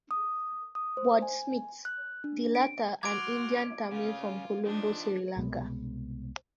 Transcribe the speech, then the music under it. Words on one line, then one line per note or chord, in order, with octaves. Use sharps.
Wordsmith, the latter an Indian Tamil from Colombo, Sri Lanka.
D#6
D#6
C5
G#5
F#6
D4
D7
F#4 C6 D6 F6 G#6 D7
C#3 F4
F3 D4 D#4
C2 B2 G#3 B3